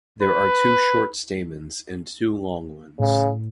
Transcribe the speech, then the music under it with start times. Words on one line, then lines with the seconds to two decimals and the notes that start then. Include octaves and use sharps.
There are two short stamens and two long ones.
0.21 B4
2.99 A2 C#3